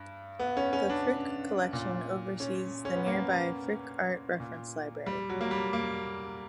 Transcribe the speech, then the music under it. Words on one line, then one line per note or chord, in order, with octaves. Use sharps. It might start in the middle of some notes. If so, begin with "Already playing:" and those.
The Frick Collection oversees the nearby Frick Art Reference Library.
Already playing: G2
B3
C#4
C#4
D4
A#2
C#4
C#4
B3
A#3
A#2
G3
F#3
A#3
G3
A#3